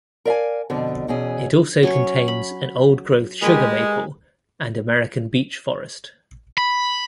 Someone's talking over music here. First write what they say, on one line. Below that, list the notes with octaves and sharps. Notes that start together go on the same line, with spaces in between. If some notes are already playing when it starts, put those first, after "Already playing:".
It also contains a old growth Sugar Maple and American Beech forest.
A#4 D5 E5 F5 G#5
F2 B2 D3
E2 B2 E3 C#4 G#4
F#3 C#4 C#5
B5
G#3 G4 A#4 B4
B5